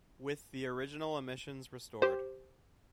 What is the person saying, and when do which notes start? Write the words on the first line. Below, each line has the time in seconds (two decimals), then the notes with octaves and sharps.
With the original omissions restored.
2.02 G4 C5